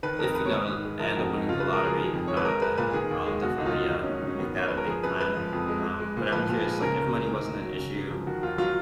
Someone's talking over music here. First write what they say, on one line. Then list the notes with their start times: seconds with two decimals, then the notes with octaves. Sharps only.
if, you know, end up winning the lottery, uh, then I'll definitely, uh, make that a big plan. Um, but I'm curious, like, if money wasn't an issue
0.03 D#3 B4
0.19 F2 A#4
0.35 G#3 B4
0.46 C#5
0.51 D#3 B4
0.67 G#2
0.84 G#3
1.00 F3 A#4
1.16 F2 F#4
1.33 G#3 D#4
1.49 C#3 F4
1.60 B4
1.65 G#3
1.73 A#4
1.81 F3 G#4
1.98 D#3
2.13 F2
2.28 G#3 C#5
2.37 B4
2.45 G#3 A#4
2.61 G#3 B4
2.78 A#2 B4
2.93 D#3 G#4
3.11 D#2
3.26 G#3 G#4
3.42 B2 F#4
3.58 C#2 D#4
3.66 F4
3.74 F#3
3.90 D#3 D#4
4.03 G#2 C#4
4.14 D#4
4.23 F#3 C#4
4.39 D#3 B3
4.55 F#2 C#5
4.68 G#3 B4
4.77 A#4
4.87 F3 G#4
5.03 F#2 B4
5.20 G#3 B4
5.37 F3
5.53 F2
5.68 G#3
5.84 G#3
6.00 G#3
6.17 A#2
6.32 F3 B4
6.49 A#2
6.65 G#3
6.81 C#3 A#4
6.97 C#2
7.13 G#3
7.30 D#3
7.45 F#2
7.61 F#3
7.78 C#3
7.95 G#3
8.10 F3
8.26 D#3 F#4
8.42 D#2 F4
8.58 F#3 F4